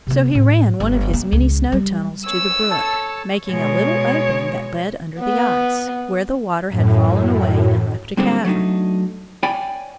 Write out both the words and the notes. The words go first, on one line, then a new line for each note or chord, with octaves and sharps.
So he ran one of his many snow tunnels to the brook, making a little opening that led under the ice, where the water had fallen away and left a cavern.
C3 B3
A2
G1
A#3
C#2
G3
C#5 E6
A4 C#5 A5
B2 G#3 C#5
B3
F#2 A2
G2 A#2 D3 G3 G#3 C4
F#3 A3 D4 D#4
C#5 D5 G5 G#5 B5